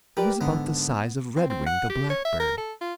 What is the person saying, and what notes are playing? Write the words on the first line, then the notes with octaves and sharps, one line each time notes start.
It was about the size of Redwing the Blackbird.
G4 A#4 B4 D5
G#2 D3 B3
C4
C4
F#5
G4
C#5
E5
A#4
A4
F4